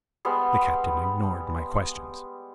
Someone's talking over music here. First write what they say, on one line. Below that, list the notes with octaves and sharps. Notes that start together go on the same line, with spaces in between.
The Captain ignored my questions.
G3 G#3 B3